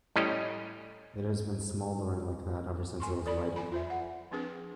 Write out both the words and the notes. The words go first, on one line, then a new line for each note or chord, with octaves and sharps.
It has been smouldering like that ever since it was lighted.
A2 G3 C#4 D#5
G#5 C6 C#6
A4 D5 B5
G#5 B5
F4 C5 E5
F#5
F3 C4 D4 G#4 B4